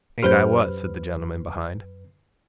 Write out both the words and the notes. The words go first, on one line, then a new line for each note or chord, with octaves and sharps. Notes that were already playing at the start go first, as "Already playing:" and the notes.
'Ain't I what?' said the gentleman behind.
F#2 G4 B4 C5 F6 G6